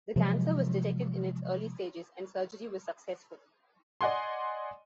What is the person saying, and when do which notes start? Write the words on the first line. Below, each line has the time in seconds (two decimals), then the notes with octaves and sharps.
The cancer was detected in its early stages, and surgery was successful.
0.16 C3 F3 F#3 G#3
4.01 D5 D#5 F#5 G#5 C6